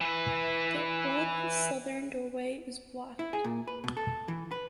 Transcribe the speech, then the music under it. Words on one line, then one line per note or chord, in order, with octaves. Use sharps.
The old southern doorway is blocked.
E3 B4
E4
G#4
A#2
B4
B2
A4
E3
B4